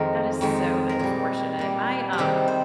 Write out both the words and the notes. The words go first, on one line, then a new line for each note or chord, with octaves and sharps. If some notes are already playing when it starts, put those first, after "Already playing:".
That is so unfortunate. I, um,
Already playing: F2 D#3 G#3 A#4
F2 D#3 G#3
A#4
A#2 G3 G#4
A#2 G3
G4
C3 D#3 G3 G#4
C5